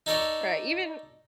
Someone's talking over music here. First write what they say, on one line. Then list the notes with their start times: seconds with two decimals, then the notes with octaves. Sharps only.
Right, even
0.06 D#4 A4 C#5 D5